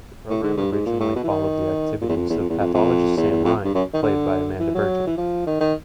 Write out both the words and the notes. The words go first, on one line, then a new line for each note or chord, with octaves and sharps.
The programme originally followed the activities of pathologist Sam Ryan, played by Amanda Burton.
A2
G#2
G2
G#2
A#2
A2
B2
E3
D#3
A#2
E2
F2
E2
F2
E2
F2
F2
E2
E2
F2
G2
F#2
D#3
D3
E3
F#3
E3
F3
D#3
D#3